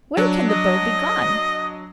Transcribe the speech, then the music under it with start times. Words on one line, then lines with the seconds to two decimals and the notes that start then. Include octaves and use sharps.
Where can the bird be gone?
0.17 F#3 D4
0.49 D#5